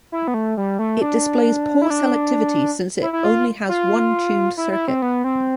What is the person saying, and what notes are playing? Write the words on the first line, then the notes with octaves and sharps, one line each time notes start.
It displays poor selectivity since it only has one tuned circuit.
E4
B3
A3
G3
A3
D4
E4
D4
E4
E4
F4
F4
E4
E4
C4
B3
C4